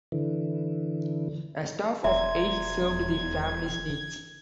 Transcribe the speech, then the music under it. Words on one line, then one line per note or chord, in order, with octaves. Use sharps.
A staff of eight served the family's needs.
D3 E3
E1 D5 E5 A#5 C6 G#6